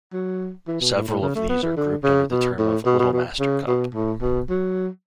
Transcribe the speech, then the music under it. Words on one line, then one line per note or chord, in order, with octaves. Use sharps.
Several of these are grouped under the term of Little-Master cup.
F#3
E3
B2
A2
A2
C#3
A3
B3
E3
D3
C#3
B2
A2
B2
B2
B2
C#3
B2
A2
B2
F#3